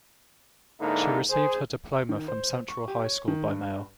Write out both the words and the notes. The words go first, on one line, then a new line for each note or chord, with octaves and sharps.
She received her diploma from Central High School by mail.
G#2 D3 A#3 D#4 E4
G#4 C5
D#3
C5
C#6
G4
C#5
D#3
G2